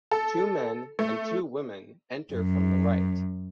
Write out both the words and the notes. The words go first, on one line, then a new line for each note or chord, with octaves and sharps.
Two men and two women enter from the right.
A4
A3
F#2